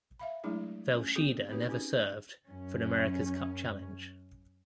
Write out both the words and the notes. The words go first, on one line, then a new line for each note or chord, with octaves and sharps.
"Velsheda" never served for an America's Cup challenge.
E5 F5 B5
F#3 G#3 A3 D4 E4 G#4
C#4
B3 C4 F#4 G#4 A4
C4 D#4 F#4 G4 B4
C#4 D#4 F#4 G#4
F#2 C#4